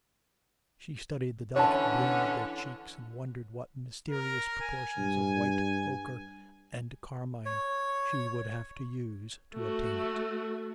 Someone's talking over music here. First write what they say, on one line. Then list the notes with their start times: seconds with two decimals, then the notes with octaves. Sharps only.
She studied the delicate bloom of their cheeks, and wondered what mysterious proportions of white, ochre, and carmine she would have to use to obtain it.
1.56 D3 E3 C#4 C#5 A5
4.11 A#4
4.61 G#5
4.98 G2
7.46 C#5
9.54 A3 F#4